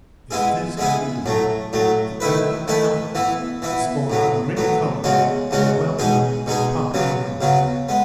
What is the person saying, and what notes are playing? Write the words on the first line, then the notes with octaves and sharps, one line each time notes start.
If this can be done, the economic outlook is for a great development of wealth and popular welfare.
G#3 B3 E4 G#4
G#3 B3 E4 G#4
A2 F#3 A3
A2 F#3 A3
D#3 A3 E4 B4
D#3 A3 E4 B4
E3 B3 E4
E3 B3 E4
A2 F#3 B3
A2 F#3 B3
E2 C#3 G#3 C#4 F#4
E2 C#3 G#3 C#4 F#4
B2 G#3 D#4 G#4
B2 G#3 D#4 G#4
C#3 F#3 B3
C#3 F#3 B3
G#3 B3